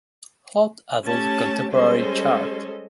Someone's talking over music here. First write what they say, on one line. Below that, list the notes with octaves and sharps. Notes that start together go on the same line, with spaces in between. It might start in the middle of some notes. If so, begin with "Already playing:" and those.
Hot Adult Contemporary chart.
A3 C#4 G4 A5
G3 G#3 C#4 A4 C5 D#5